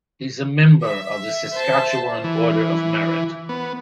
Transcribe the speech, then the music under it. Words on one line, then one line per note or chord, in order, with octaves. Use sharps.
He is a member of the Saskatchewan Order of Merit.
E5
C5 A5
E3
B3